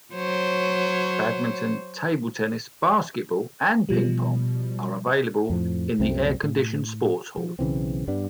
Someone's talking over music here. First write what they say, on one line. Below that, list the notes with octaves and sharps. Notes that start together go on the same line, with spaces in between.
Badminton, table tennis, basketball and ping pong are available in the air-conditioned sports hall.
F#3 C5 C#5
B2 F3 G3
F2 A2 F3
C2 F#2 A3 C4
A2
F3
B1 C#3 E3 C4
G2 G3 B3 D4